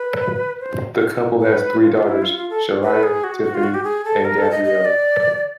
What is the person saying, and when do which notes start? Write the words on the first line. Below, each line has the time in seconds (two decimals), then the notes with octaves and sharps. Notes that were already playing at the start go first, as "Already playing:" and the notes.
The couple has three daughters: Sharayah, Tiffany, and Gabrielle.
Already playing: B4
0.61 C5
1.41 B4
1.82 F4
1.95 F4
2.09 E4
2.22 F4
2.36 F4
2.50 A4
2.83 B4
3.03 G#4
3.24 F#4
3.43 F#4
3.54 F4
3.63 F#4
3.74 G4
3.84 G#4
4.05 A4
4.25 A#4
4.38 A4
4.51 D#5
4.64 D#5
4.85 D5